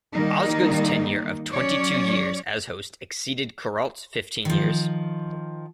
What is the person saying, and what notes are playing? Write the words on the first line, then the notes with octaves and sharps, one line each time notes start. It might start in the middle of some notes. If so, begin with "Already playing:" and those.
Osgood's tenure of twenty-two years as host exceeded Kuralt's fifteen years.
D#3 G3 A#3 D#4
F#3 C#4 C#5 D5
D#3 F3